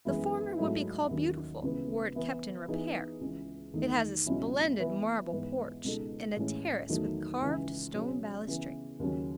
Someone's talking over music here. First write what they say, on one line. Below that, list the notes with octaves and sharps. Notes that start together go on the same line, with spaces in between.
The former would be called beautiful were it kept in repair; it has a splendid marble porch, and a terrace with carved stone balustrade.
F#2 E3 G#3 B3 E4
G#2 F#3 A3 E4
D#2 D#3 F#3 C#4
C#2 C#3 E3 B3
E3 B3 E4
E3 B3 D#4 G#4
C#2 C#3 E3
E2 D#3 A3 D#4
C#2 B2 F#3 C#4 E4
E3 B3 E4 B4
G#2 E3 B3 E4 B4
C#2 B2 G#3 D#4 A4
A2 E3 G#3 C#4
E2 D#3 F#3 A3 D#4
C#2 C#3 E3
B2 F#3 C#4 G#4
C#3 E3 B3
D#2 C#3 F#3 C#4